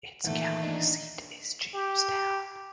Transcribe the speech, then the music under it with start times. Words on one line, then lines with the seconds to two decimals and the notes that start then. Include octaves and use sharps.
Its county seat is Jamestown.
0.24 A#2 D#3 E3 A3 E5 F#5
0.63 D4 D#4
1.74 G4